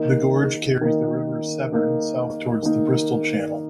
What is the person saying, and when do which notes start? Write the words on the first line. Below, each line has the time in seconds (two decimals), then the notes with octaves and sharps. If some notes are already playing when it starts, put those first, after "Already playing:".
The gorge carries the River Severn south towards the Bristol Channel.
Already playing: D#3 A#3 D#4
0.81 D#3 A#3 D#4
1.72 D#3 A#3 D#4
2.63 D#3 A#3 D#4